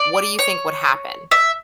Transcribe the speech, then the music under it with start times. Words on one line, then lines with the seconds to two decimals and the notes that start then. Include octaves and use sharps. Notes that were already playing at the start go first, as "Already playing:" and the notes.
What do you think would happen?
Already playing: D5
0.39 C#5
1.31 E5